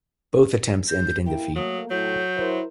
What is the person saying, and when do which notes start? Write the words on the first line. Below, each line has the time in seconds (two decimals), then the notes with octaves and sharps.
Both attempts ended in defeat.
0.89 G6
1.27 A#3 E4 G5
1.56 F#3 A3 A#3 D#6
1.91 A2 F#3 G6
2.37 E4 A#4 C5